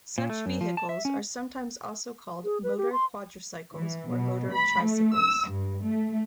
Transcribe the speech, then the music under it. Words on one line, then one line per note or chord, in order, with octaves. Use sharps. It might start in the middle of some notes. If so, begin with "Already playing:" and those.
Such vehicles are sometimes also called "motor quadricycles" or "motor tricycles".
A#2
A3
F#2
F3
A5
E5
C#4
G#4
B4
G4
C6
E3
B2
B5
A3
E6
G2
A3